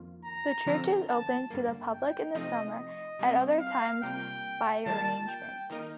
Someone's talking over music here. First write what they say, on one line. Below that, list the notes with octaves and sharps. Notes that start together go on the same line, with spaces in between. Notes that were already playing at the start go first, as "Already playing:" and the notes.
The church is open to the public in summer, at other times by arrangement.
Already playing: F2 D#3 A#3 F4
A#5
D3 F3 C4 F4 A4
A5
G2 D3 G3 A#3
G5
C3 F3 A3 C4 D#4 D#5
D#5
C3 G3 C4
F5
C3 G3 A#3 F4 A#4 G5
D#3 G3 A#3 F4 A#4 A5
G5
D#3 A#3 D#4 A#4 D#5